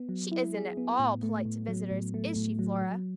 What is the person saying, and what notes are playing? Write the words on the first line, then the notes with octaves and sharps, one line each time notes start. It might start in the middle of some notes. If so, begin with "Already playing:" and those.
"She isn't at all polite to visitors, is she, Flora?"
Already playing: B3
F#3
E4
G#4
B3
A2
A3
A2
F#3
A2
A3
A2
F#3
F#3